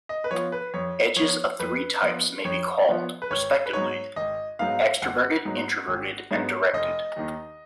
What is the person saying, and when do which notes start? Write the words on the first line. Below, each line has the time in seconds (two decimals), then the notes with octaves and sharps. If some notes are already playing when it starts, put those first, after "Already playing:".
Edges of these three types may be called, respectively, extraverted, introverted, and directed.
0.09 D#5
0.24 B4
0.31 F3 B3 F4 C#5
0.52 B4
0.74 F2 C#5
1.16 F3 B3 F4 C#5
1.60 F2 B4
2.02 F3 B3 F4
2.45 F2 C#5
2.88 F3 B3 F4
3.22 B4
3.31 G#1 C#5
3.66 B4
3.73 G#2 F#3 B3 D#4 C#5
4.16 G#1 D#5
4.59 G#2 F#3 B3 D#4 F5
5.02 G#1 F#5
5.45 G#2 F#3 B3 D#4
5.88 G#1
6.31 G#2 F#3 B3 D#4
6.73 F1 D#5
7.16 D#2 D#3